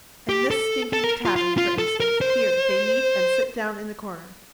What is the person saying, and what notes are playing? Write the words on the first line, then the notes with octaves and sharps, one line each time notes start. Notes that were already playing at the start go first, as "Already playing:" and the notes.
In this stinking tavern, for instance, here, they meet and sit down in a corner.
G4
A4
A4
A#4
F4
F4
F4
A4
A#4
C5